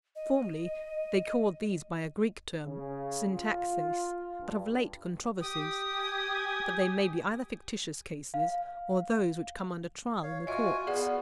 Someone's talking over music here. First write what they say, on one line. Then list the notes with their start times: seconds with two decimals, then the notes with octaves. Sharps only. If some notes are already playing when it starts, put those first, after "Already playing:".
Formerly, they called these by a Greek term, syntaxeis, but of late "controversies;" but they may be either fictitious cases, or those which come under trial in the courts.
0.16 D#5
2.66 C#3
3.33 F4
4.41 G2
5.41 G4 D#6
5.94 G#5
8.34 F5
10.23 C#5 F5
10.47 F4 F#4 D#5 E5 G#5
10.87 B3 G#4 D5 F#5